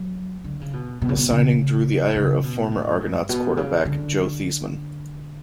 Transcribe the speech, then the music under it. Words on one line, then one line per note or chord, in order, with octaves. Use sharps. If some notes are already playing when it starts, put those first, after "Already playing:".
The signing drew the ire of former Argonauts quarterback Joe Theismann.
Already playing: F#3
D3
C#3
B2
B2
C#3
B2
C#3
C#3
B2
A2
G2
B2
C#3
D3